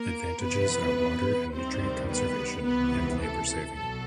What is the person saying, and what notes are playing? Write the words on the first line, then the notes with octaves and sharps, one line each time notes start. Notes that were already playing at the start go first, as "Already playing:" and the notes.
Advantages are water and nutrient conservation, and labor-saving.
Already playing: A#3 A#4
F2 C3 E3 B3 B4
D2 C3 D#3 G3 C4 C5
B3 B4
C#2 C3 E3 B3 B4
A4
B1 B2 F#3 A4